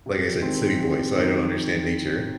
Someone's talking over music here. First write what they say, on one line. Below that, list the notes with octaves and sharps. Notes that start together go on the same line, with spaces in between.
Like I said, city boy, so I don't understand nature.
C3
D#3 G#3 C4
C3
D#3 G#3 C4